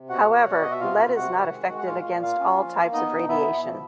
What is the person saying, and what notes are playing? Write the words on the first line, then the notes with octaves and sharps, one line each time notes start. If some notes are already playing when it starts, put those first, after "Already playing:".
However, lead is not effective against all types of radiation.
Already playing: C3
B2 F#4 F#5
B2
B2 C#5
D5
B2 D#5
E5
C3 F4 F5
C3
C3 F#4 F#5
D#3
G#3
G#3
F#5
A#2 F4 F5
A#2
A#3 F4 F5
C#4
F3
A#3
B3 D#4 D#5
B2
B3 E4 E5
B2
F3